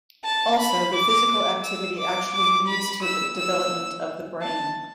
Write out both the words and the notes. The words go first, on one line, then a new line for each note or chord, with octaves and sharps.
Also, the physical activity actually leads to the development of the brain.
A5
B5
D6
E6
D6
D6
B5
E6
E6
A5